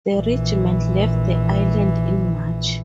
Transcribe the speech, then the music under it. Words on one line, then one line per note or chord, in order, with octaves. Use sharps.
The regiment left the island in March.
A#1 E3